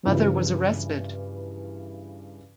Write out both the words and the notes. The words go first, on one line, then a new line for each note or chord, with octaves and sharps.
Mother was arrested.
G2 C#3 E3 F3